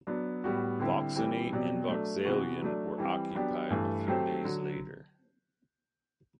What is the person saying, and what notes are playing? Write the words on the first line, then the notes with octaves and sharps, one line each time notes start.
Vauxeny and Vauxaillon were occupied a few days later.
F#3 B3 D4
A2 G3 B3 F#4
D3 G3 C4 E4
E3 G3 C4
B2 F#3 C4 G4 D5
F#3 A3 D4
C3 E3 B3 F#4
F#3 A3 D4
E3 G3 C4
F#3 B3 D4 G4
G2 E3 A3
F#3 A3 C4 G4 C5
D3 F#3